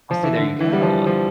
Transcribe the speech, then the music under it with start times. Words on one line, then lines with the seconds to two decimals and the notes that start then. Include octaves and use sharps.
Oh see, there you go.
0.11 F3
0.23 E3
0.37 D3
0.60 E3
0.73 G3
0.82 F3
1.06 F3